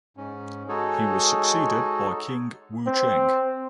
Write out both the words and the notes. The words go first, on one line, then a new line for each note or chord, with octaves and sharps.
He was succeeded by King Wucheng.
G#2 C#4
G#3 D#4 F#4 G#4 A4 C#5
C4